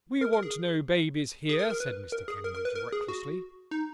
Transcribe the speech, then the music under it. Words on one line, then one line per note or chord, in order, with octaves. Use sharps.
We want no babies here,' said Mr Kenwigs recklessly.
A#4
A#4
G#4
G#4
A#4
A#4
B4
A#4
G#4
A#4
A#4
B4
A#4
G#4
F#4
D#4